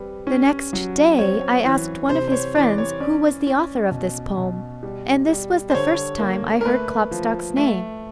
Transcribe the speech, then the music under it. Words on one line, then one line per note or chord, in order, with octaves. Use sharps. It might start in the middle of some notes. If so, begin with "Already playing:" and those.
The next day I asked one of his friends who was the author of this poem, and this was the first time I heard Klopstock's name.
Already playing: G3 C4 B4
C#4
F#3
C4 C#5
E3
C3 C5
C5
C#5
E3 D5
C#5
C#4 D5
C#4
B2
B2
G3
G3
C5
D3 C#5
A#3
A#4
A3 B4
F3
A3